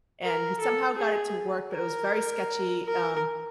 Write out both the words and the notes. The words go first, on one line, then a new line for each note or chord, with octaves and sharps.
and we somehow got it to work, but it was very sketchy. Um,
A#4
A4
G#4
A#4
A#4